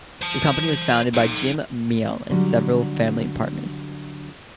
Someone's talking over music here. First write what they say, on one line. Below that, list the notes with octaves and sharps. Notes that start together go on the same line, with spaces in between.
The company was founded by Jim Miele and several family partners.
C5 A5
D#4 A4
D3 F#3 G3